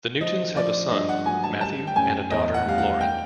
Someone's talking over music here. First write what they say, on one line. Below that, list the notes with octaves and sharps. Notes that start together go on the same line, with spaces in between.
The Newtons have a son, Matthew, and a daughter, Lauren.
F3 D#5
F3 D5
G2 D#5
F#5
F#3 G#5
A5
G3 A5
G5
F#2 G#5
E2 D#5
F#5
G3 F5
F#5
G5